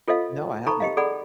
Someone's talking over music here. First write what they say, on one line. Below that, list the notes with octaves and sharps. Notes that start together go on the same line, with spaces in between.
No, I haven't.
F4 A4 C5 D#5 F5
D#4 A4 A#5 B5 C#6
G4 D#5 F5
G#4 A4 D5 F#5 B5